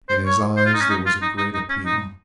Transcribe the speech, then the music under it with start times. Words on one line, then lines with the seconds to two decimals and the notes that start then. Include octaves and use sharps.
In his eyes there was a great appeal.
0.09 C5
0.26 C#5
0.57 C5
0.66 F4
0.74 D#4
0.81 C#4
0.90 D#4
1.06 F4
1.22 D#4
1.38 D#4
1.54 D#4
1.69 C#4
1.85 D#4